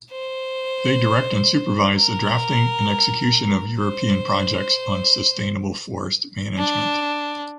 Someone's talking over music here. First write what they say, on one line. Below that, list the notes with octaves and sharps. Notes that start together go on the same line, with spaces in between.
They direct and supervise the drafting and execution of European projects on sustainable forest management.
C5
A#4
C5
D4